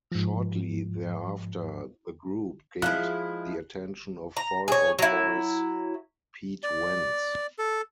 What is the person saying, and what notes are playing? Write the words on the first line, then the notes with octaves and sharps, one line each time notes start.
Shortly thereafter, the group gained the attention of Fall Out Boy's Pete Wentz.
G#2 F3
F3 G#3 E4 F#6
A#5
G#4 C#5
F#3 E4
D5
A4